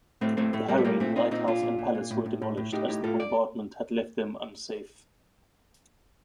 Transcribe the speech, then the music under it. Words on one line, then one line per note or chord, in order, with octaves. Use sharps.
The harem, lighthouse and palace were demolished as the bombardment had left them unsafe.
A2 A3 C4
A2 A3 C4
A2 A3
A2 G3 A#3
A3
A#2 G3 A#3
A#2 A3 C4
A#2 C4 D#4
A#2 C4 D#4
A#2 D4 F4
A#2
A#2
A#2
A2
A2
A2
A2
A2 D#4 G4
A2 D#4 G4
A2 F4 A4
D5